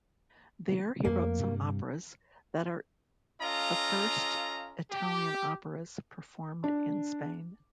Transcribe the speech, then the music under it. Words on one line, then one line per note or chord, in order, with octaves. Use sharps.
There, he wrote some operas that are the first Italian operas performed in Spain.
F2 A3 A#3
G2 C3 G3
C#4 F4 A4 D#5 F5 A#5
G4
D4